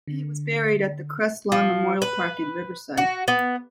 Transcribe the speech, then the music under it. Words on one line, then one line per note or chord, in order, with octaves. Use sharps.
He was buried at the Crestlawn Memorial Park in Riverside.
D3
F3
B4
F#4
B3